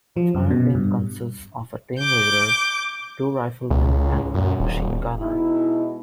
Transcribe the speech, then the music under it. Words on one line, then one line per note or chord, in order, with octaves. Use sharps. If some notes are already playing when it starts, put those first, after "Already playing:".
The fireteam consists of a team leader, two riflemen and one machine-gunner.
F3
F#2
B2
G2
D6 G6
C#2
F#2
D#1
B2 G#3 D#4 E4